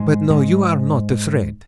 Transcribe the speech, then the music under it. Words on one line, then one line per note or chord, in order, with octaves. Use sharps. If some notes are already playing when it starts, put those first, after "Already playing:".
But no, you are not afraid.
Already playing: G#2 G#3
G#2 G#3